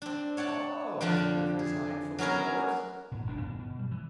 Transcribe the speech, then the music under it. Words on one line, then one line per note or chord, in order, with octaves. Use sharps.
"Oh, so you've resigned from the force?"
C4 D4
C#5 F#5 G5 A5
F2 D3 F3 D4 G5
G#4
F#3 B3 C#4 G#4 A#4
G#2 B2
D#1 C#2 G#2 D4
G2 B2
B2
G3
E3